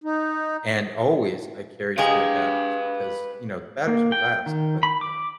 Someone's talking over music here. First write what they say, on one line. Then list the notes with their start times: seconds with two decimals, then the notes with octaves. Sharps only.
and, always, I carried spare batteries because, you know, the batteries would last, but, uh,
0.04 D#4
1.98 G#3 G4 G#4 B4 F5
3.87 A#3
4.12 G5
4.46 D#3
4.83 B5
5.01 D6